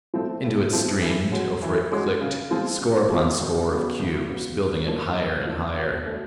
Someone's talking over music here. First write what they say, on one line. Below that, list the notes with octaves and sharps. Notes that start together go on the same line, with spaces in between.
Into it streamed, over it clicked, score upon score of cubes, building it higher and higher.
F3 A3 C4
A2
F3 A3 C4
E3
G#3 C#4 F#4
E3
G#3 C#4 F#4
C#3
F3 G#3 C4 F4
C#3
F3 G#3 C4 F4
D2
C#3 F#3 B3
D2
C#3 F#3 B3
G#2
F3 A#3 D4
G#2
F3 A#3 D4
B2
F#3 A3 D4